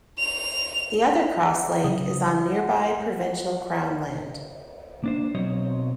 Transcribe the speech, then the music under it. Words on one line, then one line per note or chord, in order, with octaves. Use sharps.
The other Cross Lake is on nearby provincial Crown land.
F7
C#3 F#3 D#6
F#5
A#3 D4 C5
B1 F#3 C4 C5 C#5 D#5